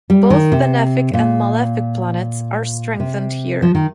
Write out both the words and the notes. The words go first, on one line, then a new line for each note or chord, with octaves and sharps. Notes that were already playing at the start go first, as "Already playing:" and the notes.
Both benefic and malefic planets are strengthened here.
G3
D#3
C3
A#2
C3
F3
D#3